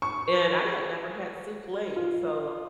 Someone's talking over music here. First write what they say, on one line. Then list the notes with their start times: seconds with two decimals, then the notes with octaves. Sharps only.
and I had never had souffle, so,
0.02 C#6
1.96 F4